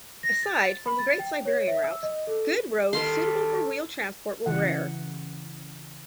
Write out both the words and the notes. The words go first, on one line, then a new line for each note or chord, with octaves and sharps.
Aside from the Great Siberian Route, good roads suitable for wheeled transport were rare.
A#6
A6
B5
A6
G5
C#5
E5
E6
D#5
A4
D#3 G3 A4 C6
C#3 E3 F#5